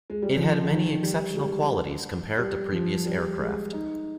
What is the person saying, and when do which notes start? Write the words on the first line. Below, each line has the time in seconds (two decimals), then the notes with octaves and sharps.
It had many exceptional qualities compared to previous aircraft.
0.10 G#3
0.22 G3
0.36 F3
0.70 D#3
1.03 G3
1.30 G#3
1.37 G3
2.38 G3
2.72 F3
3.06 G3
3.39 G#3
3.73 D#4